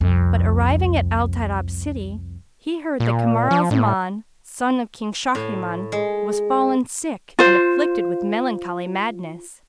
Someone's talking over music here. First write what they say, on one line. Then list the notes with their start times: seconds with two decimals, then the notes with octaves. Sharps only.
But arriving at Al-Tayrab city, he heard that Kamar al-Zaman, son of King Shahriman, was fallen sick and afflicted with melancholy madness.
0.01 C2 F2
3.00 A#2
3.51 F3
3.71 A2
5.35 A2
5.92 G#3
7.39 F4 C5